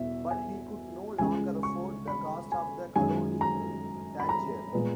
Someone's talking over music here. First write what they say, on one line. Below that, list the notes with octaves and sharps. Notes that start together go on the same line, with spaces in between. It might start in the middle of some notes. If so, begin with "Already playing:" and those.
But he could no longer afford the cost of the colony in Tangier.
Already playing: E2 B2 E5
G#5
C#2 C#3 G#3 G#5
C#6
B5
G#5
F#2 D#3 G#3 G#5
A#5
B5
A#5
A#2 G#3 B3